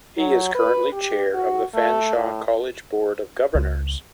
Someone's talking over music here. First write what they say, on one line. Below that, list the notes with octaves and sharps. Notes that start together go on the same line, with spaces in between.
He is currently chair of the Fanshawe College Board of Governors.
F#3
B4
G4
F#4
A3
A2
C#2